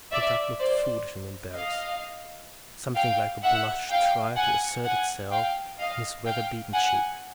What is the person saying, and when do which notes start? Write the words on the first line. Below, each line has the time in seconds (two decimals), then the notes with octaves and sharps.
Kentuck looked foolish and embarrassed. Something like a blush tried to assert itself in his weather-beaten cheek.
0.12 D5 E5
0.59 C5 D5
1.54 D#5 F5
2.95 F5 G5
3.43 E5 F#5
3.90 F5 G5
4.36 F#5 G#5
4.84 F#5 G#5
5.31 F5 G5
5.79 D#5 F5
6.25 F5 G5
6.73 F#5 G#5